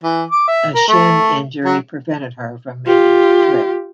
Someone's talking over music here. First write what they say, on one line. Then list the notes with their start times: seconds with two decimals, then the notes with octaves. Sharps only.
A shin injury prevented her from making the trip.
0.03 E3
0.30 D6
0.48 E5
0.74 A#4
0.88 A3
1.65 F#3
2.87 F4 G4